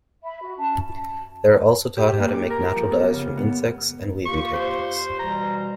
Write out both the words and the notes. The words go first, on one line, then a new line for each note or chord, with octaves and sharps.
They are also taught how to make natural dyes from insects, and weaving techniques.
E5 B5
F#4
C#4 A5
G4
A#2
D6
A#4
F3
B3
C#3
B3
A#3 F4 G4 C#6
C5
B2 E3 G3 A#5